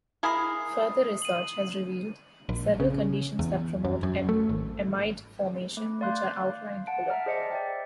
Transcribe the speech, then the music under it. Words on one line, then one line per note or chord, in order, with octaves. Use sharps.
Further research has revealed several conditions that promote amide formation, which are outlined below.
E4 G#4 A#4 D#6 C7
D#7 F#7
A#1
C#3
E2
F#2
F#2
A3
G#1
A3
D5 F5 C6 F#6 G6
F#5 A5 D7
E5 A5 A#5 F6
G#4 C5 D5 D#5 C#7
D5 E5 G5